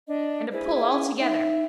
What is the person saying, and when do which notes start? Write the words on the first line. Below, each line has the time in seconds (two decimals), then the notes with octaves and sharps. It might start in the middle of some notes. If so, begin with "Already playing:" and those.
And a pull all together.
0.07 D4 D#5
0.52 E4 G#4 C5
0.76 E5
0.92 C#4
1.19 D#4 E5